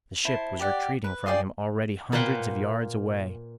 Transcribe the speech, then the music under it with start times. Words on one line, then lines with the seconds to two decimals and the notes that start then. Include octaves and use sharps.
The ship was retreating from him already hundreds of yards away.
0.25 E4 C5 A5
0.59 G4 D5 F#5
1.04 B4
1.26 F4 G#4 D5 G5
2.12 A#2 A#3 B4 C5 F#5 G5